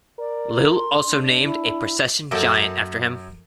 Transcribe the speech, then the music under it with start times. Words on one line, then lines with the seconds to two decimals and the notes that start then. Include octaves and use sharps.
Lille also named a procession giant after him.
0.19 A#4 D5
0.75 C6
1.08 D4
1.43 E4
2.31 F#2 A#3 C#4 A4 G5 A5